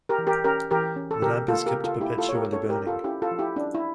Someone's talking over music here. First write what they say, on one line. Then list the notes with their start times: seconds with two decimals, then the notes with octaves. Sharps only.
The lamp is kept perpetually burning.
0.09 G4 A#4
0.18 E3
0.27 G4 A#4
0.44 C#4 G4 A#4
0.71 E3 G4 A#4
0.96 C#4
1.11 A4
1.22 C#3 G4 A#4
1.48 A#3 F4 A4
1.66 G4 A#4
1.75 C#3
1.84 F4 A4
2.00 A#3 E4 G4
2.18 F4 A4
2.27 A#3 C#5
2.35 G4 A#4
2.52 C#4 A4 C#5
2.69 G4 A#4
2.79 C#4
2.87 F4 A4
3.04 C#4 E4 G4
3.22 F4 A4
3.31 F3
3.39 E4 G4
3.56 C#4 D4
3.75 E4